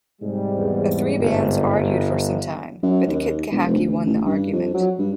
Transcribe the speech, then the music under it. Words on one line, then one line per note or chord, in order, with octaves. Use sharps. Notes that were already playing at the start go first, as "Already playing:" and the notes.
The three bands argued for some time, but the Kitkehaki won the argument.
G#2 C3 G3
E2
G1
F#2
D#2
E1
F1
D2
A1
G2
F2
F#3
G2